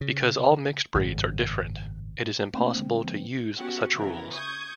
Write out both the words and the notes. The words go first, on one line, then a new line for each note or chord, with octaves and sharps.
Because all mixed breeds are different, it is impossible to use such rules.
C#3
G#1 F#2 A2 C#3
A3 A#3 C4 D4
D3 G#3
F3 B3
B3 C#4 F#4 G4 F#5
C#3 E3 B3 A#4
C#6 D#6 G6 G#6